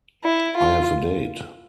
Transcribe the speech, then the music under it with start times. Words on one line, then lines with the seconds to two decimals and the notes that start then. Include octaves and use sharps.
I have a date.
0.24 E4
0.57 F4